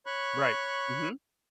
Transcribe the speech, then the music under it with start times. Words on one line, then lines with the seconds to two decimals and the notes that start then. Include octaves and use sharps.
Right, mhm.
0.06 C#5 B5 C#6 F#6